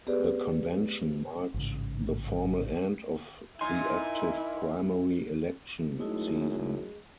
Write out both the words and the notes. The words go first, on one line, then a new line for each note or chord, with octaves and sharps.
The convention marked the formal end of the active primary election season.
B3 G4 G#4 B4 C5 D5
A1 G#2 C#3
A#2 D#4 E4 G#5 C6
F#2 G#3 A3 D#4 E4